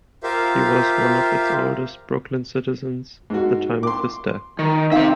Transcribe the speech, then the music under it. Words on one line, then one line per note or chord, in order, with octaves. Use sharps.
He was one of its oldest Brooklyn citizens at the time of his death.
F4 G4 A#4 C5 E5 F5
G#2 F#4
C6 D6
D#3
D#3 C4 D#4 E5 F5